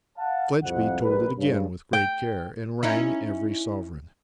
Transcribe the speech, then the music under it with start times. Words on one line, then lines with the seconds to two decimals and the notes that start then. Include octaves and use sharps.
Fledgeby told it again with great care, and rang every sovereign.
0.17 F5 F#5 A5
0.62 C2 F2 F#5
1.01 A#1 G#2 G3 A#4 B4
1.38 G2 C#3
1.93 G5
2.83 C#4 D#4 E4